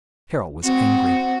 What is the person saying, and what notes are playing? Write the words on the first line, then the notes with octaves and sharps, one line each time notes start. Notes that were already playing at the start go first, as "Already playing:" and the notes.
Carol was angry.
C4 F#4